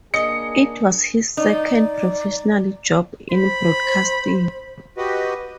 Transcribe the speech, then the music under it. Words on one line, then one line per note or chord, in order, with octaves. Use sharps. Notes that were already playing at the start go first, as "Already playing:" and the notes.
It was his second professional job in broadcasting.
A#3 D4 G#4 D#5 C#7
D#4 D5
C5 B5
F#4 G4 B4 D#5